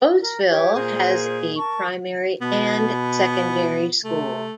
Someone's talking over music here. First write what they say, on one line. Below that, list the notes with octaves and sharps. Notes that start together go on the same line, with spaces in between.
Bosvil has a primary and secondary school.
A#4
G4 C#5 E5
A#2 G#4 A#4 C5
A#4 A5 C#6
B2 B3
C3 A3